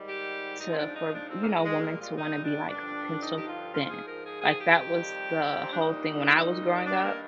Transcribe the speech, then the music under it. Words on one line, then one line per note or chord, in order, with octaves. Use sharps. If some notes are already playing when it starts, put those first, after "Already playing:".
to, for, you know, women to wanna be like pencil thin, like that was the whole thing when I was growing up,
Already playing: G#2 D#3 G3
G4
G#2 F3 D#4
C4
D4
D#4
D4
C4
A#3
G#3
A#2 G3 G#3
A#3
F4
D#4
D4
G2 D3 F3 D4
D#4
G4
F4
G#2 F3 F4
G#4
A#4
G#4
G#4
G4
F2 D#3 G3
C4
D4
A#2 G3 D#4
G2 D#3 G3 D4
A#3